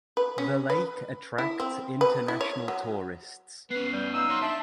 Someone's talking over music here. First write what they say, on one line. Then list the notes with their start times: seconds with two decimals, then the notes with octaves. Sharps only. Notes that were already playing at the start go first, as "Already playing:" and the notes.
The lake attracts international tourists.
0.17 B4
0.38 C#4
0.70 B4
1.38 E4
1.60 C4
2.01 B4
2.28 E4
2.41 C#5
2.68 F#3
3.70 B3 C#4 B4 C7
3.92 G3 G#5 G6
4.14 D#4 F5 G#5 E6
4.30 C#5 F#5 C6
4.42 D4 E5 A5